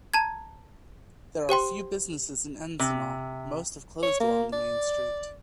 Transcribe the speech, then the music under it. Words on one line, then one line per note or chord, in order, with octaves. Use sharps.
There are few businesses in Encinal; most have closed along the main street.
A5 A#5 G#6
G4 C5 G5 C6
C3
C#5
A#3
D5